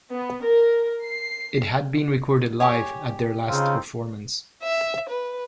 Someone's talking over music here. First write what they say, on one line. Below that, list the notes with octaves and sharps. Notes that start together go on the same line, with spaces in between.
It had been recorded live at their last performance.
B3
A#4
C7
G4 G#4 C#5
C#3 C4 D#4 F4
E5
B4